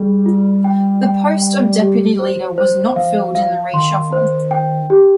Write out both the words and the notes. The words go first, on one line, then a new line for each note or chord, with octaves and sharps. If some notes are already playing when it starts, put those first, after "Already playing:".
The post of deputy leader was not filled in the reshuffle.
Already playing: G3 G#4
F4
G5
G5
G5
G4
C5
C5
F3 F5
F5
D#3 C6
C5
G5
G4